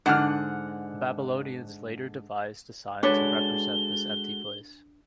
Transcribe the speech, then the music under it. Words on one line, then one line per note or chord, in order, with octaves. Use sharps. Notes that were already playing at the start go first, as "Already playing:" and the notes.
Babylonians later devised a sign to represent this empty place.
G#2 D3 F#5 F6
G#3 D4 F#4 A4 B4 C#5 G7